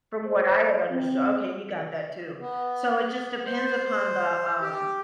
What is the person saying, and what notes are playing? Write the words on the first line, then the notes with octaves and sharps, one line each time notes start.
From what I had understood okay, you got that too, so, it just depends upon the, um
C5
C4
B3
C5
G4